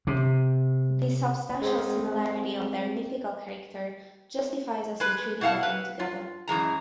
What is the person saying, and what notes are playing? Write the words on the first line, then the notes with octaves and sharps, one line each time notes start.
The substantial similarity of their mythical character justifies us in treating of them together.
C3
G#3 C4
G#3 B4
B2 E4 F5 F#5 A5
B4
F4
F#2 E3 G#3 A#5